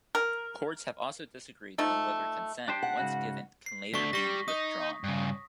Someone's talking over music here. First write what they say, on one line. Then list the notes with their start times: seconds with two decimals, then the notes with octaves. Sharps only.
Courts have also disagreed on whether consent, once given, can later be withdrawn.
0.15 A#4
1.78 F3 A3 D#4
2.68 D4 G4 C5
2.83 F#5
2.98 G#2 C#3 F#4
3.66 C7
3.94 A3 D4 C#6 B6
4.13 G3 C#6 A#6
4.48 D#4 D#6
5.04 G2 C#3